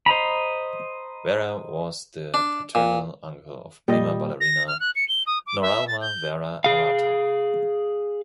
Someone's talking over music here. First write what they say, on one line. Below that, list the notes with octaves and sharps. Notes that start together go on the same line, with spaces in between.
Vera was the paternal uncle of Prima Ballerina Noralma Vera Arrata.
C5 D#5 A#5 B5
D4
A#2
A#2 G3 D#5
A#6
F6
F#6
C#7
G7
D#6
D6
E5
A6
G6
G#4 F5